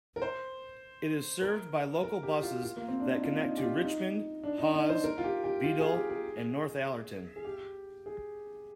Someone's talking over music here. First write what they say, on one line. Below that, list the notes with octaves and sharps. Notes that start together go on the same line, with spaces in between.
It is served by local buses that connect to Richmond, Hawes, Bedale and Northallerton.
A#4
C5
A#4
A#4
G4
F4
F4
A#3
C4
D4
D#4
F4
D#4
G4
F4
D#4
D4
D#4
D#4
C5
A#4
F4
G4
G4
F4
G#4
G4
G#4
G#4
G4
G#4